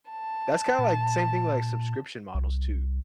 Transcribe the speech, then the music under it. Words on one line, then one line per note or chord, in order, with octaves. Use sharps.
That's kinda like same thing with, like, subscription models too.
A5
A#2
C2